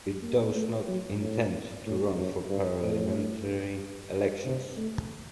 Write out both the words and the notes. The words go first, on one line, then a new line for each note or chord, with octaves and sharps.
It does not intend to run for parliamentary elections.
A#3
A3
F#3
A2
A2
F#2
G2
A2
C3
A3